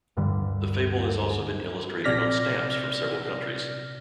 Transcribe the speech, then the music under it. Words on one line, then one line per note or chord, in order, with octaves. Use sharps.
The fable has also been illustrated on stamps from several countries.
D1 G2 D3 G3
A#1 C3 D5 F6 A#6 B6